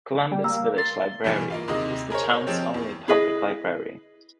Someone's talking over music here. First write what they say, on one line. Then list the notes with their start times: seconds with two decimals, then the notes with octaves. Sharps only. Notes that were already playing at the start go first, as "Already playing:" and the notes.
Columbus Village Library is the town's only public library.
0.31 G3
0.44 A#3 E6
0.78 C6 A6
1.24 G2 B2 E3 G3
1.50 A#3 F4 F5
1.68 D#2 C3 G#3 D#5
2.10 G#4 A#4 C5 C#5
2.47 F3 G#3 C4 G4 C#5
2.74 E2
3.08 E4 G#4 B4 D#5